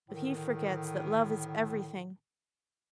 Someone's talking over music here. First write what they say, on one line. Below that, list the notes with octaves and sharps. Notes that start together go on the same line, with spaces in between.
But he forgets that love is everything.
A2 D3 D#3